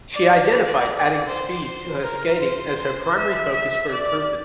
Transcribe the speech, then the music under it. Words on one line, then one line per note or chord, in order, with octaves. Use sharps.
She identified adding speed to her skating as her primary focus for improvement.
D5
D5
C5
A#4
C5
E5
E5
D5